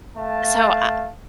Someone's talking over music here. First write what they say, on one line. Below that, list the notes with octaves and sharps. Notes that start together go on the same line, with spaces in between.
So, I
A3 F5 A5